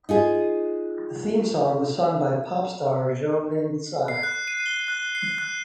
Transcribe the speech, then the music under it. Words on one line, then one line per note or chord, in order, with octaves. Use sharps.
The theme song was sung by pop star Jolin Tsai.
D#4 F4 G#4
C7
F#6
D#7
G7
F#6
C7
F#6